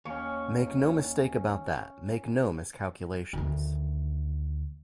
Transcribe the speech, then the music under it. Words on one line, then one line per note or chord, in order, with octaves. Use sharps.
Make no mistake about that; make no miscalculations.
D#2 C#4 C#6
D2 D#3